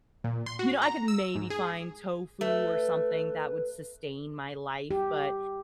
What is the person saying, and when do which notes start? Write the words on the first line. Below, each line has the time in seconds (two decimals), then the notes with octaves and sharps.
you know, I could maybe find tofu or something that would sustain my life, but
0.24 A#2
0.46 C6
0.59 F#4
0.82 A#5
1.08 E6
1.36 G#2
1.50 G#4
2.41 A3 B4
4.91 G4